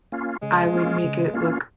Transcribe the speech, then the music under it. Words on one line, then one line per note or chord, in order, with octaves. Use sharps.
I would make it look
A#3 C#4 F4
C#3 G#3
A#3 C#4 F4
C#3
A#3 C#4 F4